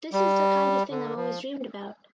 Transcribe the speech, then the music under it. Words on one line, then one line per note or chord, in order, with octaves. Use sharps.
This is the kind of thing I’ve always dreamed about.
G3
D3
F3